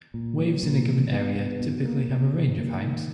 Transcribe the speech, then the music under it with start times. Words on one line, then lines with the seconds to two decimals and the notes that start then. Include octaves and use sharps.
Waves in a given area typically have a range of heights.
0.14 A#2
0.38 F#3
0.63 A#2
0.87 E3
1.12 B3
1.36 B3
1.61 B2
1.85 A#3
2.09 B2
2.34 D#3
2.58 A#3
2.83 D#3